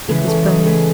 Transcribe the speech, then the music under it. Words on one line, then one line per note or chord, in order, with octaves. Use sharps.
It was burning.
C#3 E3 G#3 C#4 E4 G#4 B4
A4 C#5
B4 D#5
G#4 B4